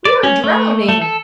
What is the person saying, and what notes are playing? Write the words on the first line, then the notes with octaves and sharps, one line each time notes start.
We are drowning!'
D5
C#4
A3
A3
A4